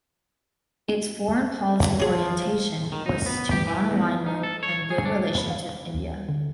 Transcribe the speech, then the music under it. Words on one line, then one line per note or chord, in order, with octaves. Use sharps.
Its foreign policy orientation was to nonalignment and good relations with India.
F3 C#4 G#4
D#3
D#4
B3
G4
E3
E2
D#4
A4
C#5
G#4
D4
B5
F5
D#2
D3